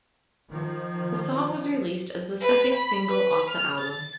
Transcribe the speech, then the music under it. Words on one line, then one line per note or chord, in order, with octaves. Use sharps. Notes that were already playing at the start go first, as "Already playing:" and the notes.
The song was released as the second single off the album.
D#3 F3
B4
B5
B4
F6
A6